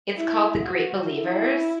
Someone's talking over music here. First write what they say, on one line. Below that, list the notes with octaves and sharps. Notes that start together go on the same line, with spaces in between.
it's called The Great Believers
E4
F#4
E4